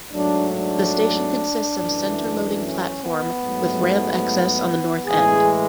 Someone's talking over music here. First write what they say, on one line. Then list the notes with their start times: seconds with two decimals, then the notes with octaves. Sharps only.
The station consists of a center-loading platform with ramp access on the North end.
0.12 G#2 F#3 A3 D4
0.53 D4
1.76 F#2 E3 A3
2.59 C#4
3.01 B3
3.42 G#2 F#3 A3
5.07 A2 E3 G#3 G#4